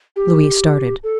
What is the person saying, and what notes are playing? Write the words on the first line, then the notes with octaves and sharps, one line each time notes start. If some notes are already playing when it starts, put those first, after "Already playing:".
Louis started.
G4
A4